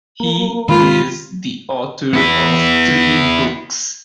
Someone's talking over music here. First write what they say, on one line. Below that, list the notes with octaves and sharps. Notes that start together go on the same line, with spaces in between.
He is the author of three books.
A#3
D#3 G#3 F4 B5
B3 E4